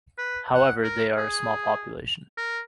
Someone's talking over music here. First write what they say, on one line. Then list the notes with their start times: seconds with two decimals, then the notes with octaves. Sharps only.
However, they are a small population.
0.18 B4
0.54 F#5
0.84 A#4
1.17 G#4
2.38 A#4